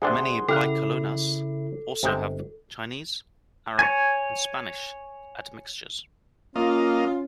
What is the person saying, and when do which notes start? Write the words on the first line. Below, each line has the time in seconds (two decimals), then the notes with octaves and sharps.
Many Bicolanos also have Chinese, Arab, and Spanish admixtures.
0.02 D2 C3 D4 G#4 F#5 C6
0.48 C#3 E4 G4 A4 F5 F#5
2.03 G1 C3 G#3 G5
3.79 C#5 G#5
6.56 A#3 C#4 F4 D#5 F5